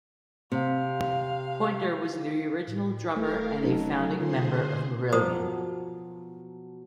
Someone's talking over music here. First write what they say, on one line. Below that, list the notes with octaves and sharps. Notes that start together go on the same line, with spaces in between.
Pointer was the original drummer and a founding member of Marillion.
C3 F5
A2
D#1 A3 A#4 F5
F#3 C#4 D#4 A4
D3 F4 G#4 C5 C6
B2 F3 F#3 A#4 C5 D#6